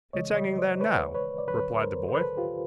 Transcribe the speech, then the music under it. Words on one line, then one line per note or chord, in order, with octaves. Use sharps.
'It's hanging there now,' replied the boy.
D2 C#3 E3 G#3 C#5 D#5
C#5 D#5
C5 D5
B4 C#5
B4 C#5
D5
D2 D3 F#3 B4 C#5
A#4 C5
C5
A4 B4
F4 G4